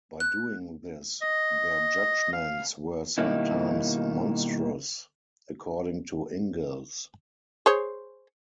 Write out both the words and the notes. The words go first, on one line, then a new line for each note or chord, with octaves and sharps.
By doing this their judgements were sometimes "monstrous" according to Ingalls.
F#6
D#5
F5
B2 D#3 G3 A#3 D#4 E4
G#4 C5 C#5